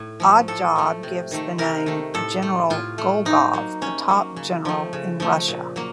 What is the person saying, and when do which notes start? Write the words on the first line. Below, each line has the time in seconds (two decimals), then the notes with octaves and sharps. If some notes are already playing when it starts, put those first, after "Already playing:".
Oddjob gives the name: General Golgov, a top general in Russia.
Already playing: A2
0.20 F3 A3
0.48 A2 A4
0.76 F3 A3
1.03 C3
1.31 D#3 A3
1.58 C3 A#4
1.86 D#3 A3
2.14 A2 A4
2.42 A3
2.70 A2 F4
2.98 A3
3.25 C3 D#4
3.53 F#3 A#3
3.81 C3 C#4
4.09 F#3 A#3
4.36 C#3
4.65 F3 A3
4.93 C#3
5.20 F3 A3
5.48 A#2
5.76 F#3 A#3